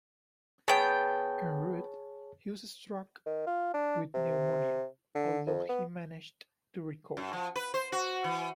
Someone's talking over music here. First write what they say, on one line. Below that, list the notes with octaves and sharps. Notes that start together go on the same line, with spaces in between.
En route he was struck with pneumonia, although he managed to recover.
B3 G#4 C#5 G5 A5
D#3
F4
D4
C3
D3
F2
B3
F#2
F3
B4
C5
F#4
E3